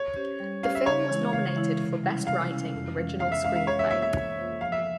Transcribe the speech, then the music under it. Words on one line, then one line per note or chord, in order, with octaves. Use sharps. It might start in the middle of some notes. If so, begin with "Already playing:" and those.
The film was nominated for Best Writing, Original Screenplay.
Already playing: C#5
C#4 G4 C5
G3
C#4 G4 C5 F5
E5
C#3 C#5
E3 G#3 E4
C#3 F5
E3 G#3 E4
C3
G3 C#4 E4
C3 F5
G3 C#4 E4
F2
E3 G#3 C#4
F2 F5
E5
E3 G#3 C#4 F5
F5
E3 C#5
E5
A#3 F4 C5 E5
E5
E3
A#3 F4 C5
F3 F5
E5